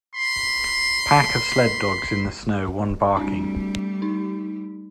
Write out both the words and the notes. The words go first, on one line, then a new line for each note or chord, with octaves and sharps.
Pack of sled dogs in the snow, one barking.
B5 C6
G3 A3 C4 D4
D#4